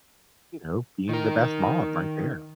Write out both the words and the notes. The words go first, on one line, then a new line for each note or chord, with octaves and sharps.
you know, being the best mom right there.
D#3 A#4